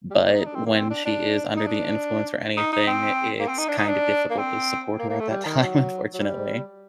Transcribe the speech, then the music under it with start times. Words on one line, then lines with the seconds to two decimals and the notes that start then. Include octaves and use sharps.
but when she is under the influence or anything, i it's kinda difficult to support her at that time, unfortunately.
0.10 G3
0.14 A3
0.25 A#3
0.35 D#4
0.45 D4
0.55 C4
0.66 A#3
0.76 C4
0.90 D4
1.05 D4
1.56 D#4
1.66 D4
2.57 D#4
2.72 D#4
2.87 C4
3.40 A#3
3.48 C4
3.58 D#4
3.68 D4
3.78 D#4
3.88 D4
4.30 A#3
4.38 C4
4.99 A#3
5.09 A#3
5.20 A3
5.30 G3
5.45 D#3
5.60 F#3
6.13 F#3
6.21 G3